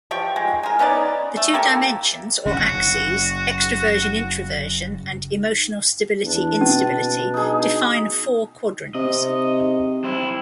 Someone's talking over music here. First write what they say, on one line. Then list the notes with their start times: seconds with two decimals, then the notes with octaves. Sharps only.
The two dimensions or axes, extraversion-introversion and emotional stability-instability, define four quadrants.
0.11 F3 G4 G5 C#6
0.36 G#3
0.63 G#4 A#4
0.79 B3 C#4 D#4 D5
1.37 A3
1.54 A#3 G4 A4
2.45 F#1 C#3 C#4 F#4
6.23 E2 D4
6.61 B2 C#4
7.34 D#4 G#4
8.95 C3 D#5
10.04 C4 E4